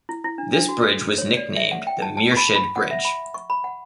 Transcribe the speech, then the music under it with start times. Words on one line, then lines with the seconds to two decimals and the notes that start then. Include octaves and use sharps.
This bridge was nicknamed the "Mierscheid Bridge".
0.09 E4
0.24 E4
0.38 D4
0.54 D4
0.69 F#4
0.83 A4
1.18 C#5
1.37 D5
1.57 E5
1.72 F#5
1.87 G5
2.02 A5
2.17 A5
2.32 C#6
2.37 B5
2.56 B5
2.76 F#5
2.91 E5
3.05 B5
3.34 C#6
3.50 B5
3.64 F#5